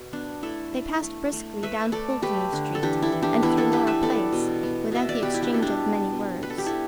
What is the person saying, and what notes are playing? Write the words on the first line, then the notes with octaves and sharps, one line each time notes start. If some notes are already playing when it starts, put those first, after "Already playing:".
They passed briskly down Pulteney Street, and through Laura Place, without the exchange of many words.
Already playing: B2
B3 D4
A3 E4 A4
A3
A3
A3
A3 B4 E5
A3 A4 D5
A3 G4 B4
D3
A4
E3 D4 G4
E4 A4
E3
D4 G4
E3 B3 E4
E4 A4
E3 G4 B4
B4 E5
B3 A4 D5
B2
B3
B2 E5
D5
B2 G4 B4
E4
D4 G4
B2 A4
D4 G4
B3
B2
B3 B4
A4
G4
E4 A4